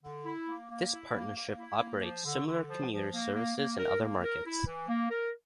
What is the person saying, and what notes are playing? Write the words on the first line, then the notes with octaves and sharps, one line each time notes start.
This partnership operates similar commuter services in other markets.
D3
E4
A#3
A#3
E4
A#3
A#3
E4
A#3
F3
D3
D3
F3
F3
A#3
A#3
A#3
A#4
A#3
A#4
E4
E3
A#3
A#4